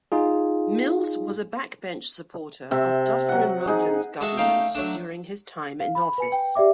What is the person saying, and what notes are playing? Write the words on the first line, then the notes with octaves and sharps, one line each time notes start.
Mills was a backbench supporter of Dufferin Roblin's government during his time in office.
D#4 F4 G#4
C3 E5
F#3 F#5
D#4 G#4
G#3 F#4 G#4 A4 E5
A3 C#4 D#4 F5 G5
F#3 A3 D4
F5
B5
B4 G#5 C#7
G5
G4 D5 E5 D6